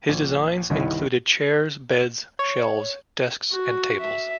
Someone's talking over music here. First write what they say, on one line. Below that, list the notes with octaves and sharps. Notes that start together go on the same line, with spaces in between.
His designs included chairs, beds, shelves, desks and tables.
A#1
G1 C2 D#3 E4
C#5
F#4
E5